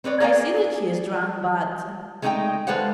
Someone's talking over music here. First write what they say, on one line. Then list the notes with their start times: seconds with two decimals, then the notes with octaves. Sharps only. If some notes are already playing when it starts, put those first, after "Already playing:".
"I see that he is drunk, but...."
0.04 C4 B4 C#5 D5
0.20 G#4 C#5 D5 F5 G#5
2.22 G#3 A3 D#4 F#4 D#5 G5
2.67 G#3 A4 B4 C5 F5 F#5